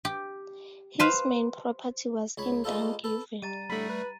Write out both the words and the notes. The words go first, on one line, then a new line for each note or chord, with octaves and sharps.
His main property was in Dungiven.
G4
B4 C5 F5 B5
C#2 C#5 B5
G#3 D4 D#4 F4 A4 B4
A4 B4
G3 A#5 A6 D#7
A2 D3 G3 A3 A4 B5
B4